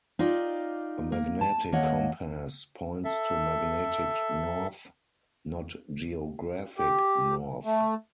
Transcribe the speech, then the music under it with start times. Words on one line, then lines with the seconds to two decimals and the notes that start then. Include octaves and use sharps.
A magnetic compass points to magnetic north, not geographic north.
0.19 D#4 F4 G4 A#4 D5
1.12 A#3
1.41 A5
1.72 D#2 A#3 C#5 D#5 F#5
3.05 A4 E5
6.78 G4
7.65 A3